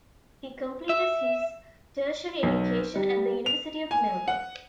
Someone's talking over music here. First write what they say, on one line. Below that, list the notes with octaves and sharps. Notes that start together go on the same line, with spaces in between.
He completed his tertiary education at the University of Melbourne.
E5
B1
G3
F7
G#5
F#5